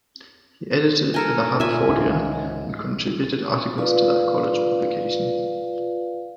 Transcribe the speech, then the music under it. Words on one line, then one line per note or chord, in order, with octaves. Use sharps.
He edited "The Haverfordian" and contributed articles to that college publication.
A4 A#4 G#5
A#2 D3 E5 G#5
C#2 G#2
F4 B4 D5 F5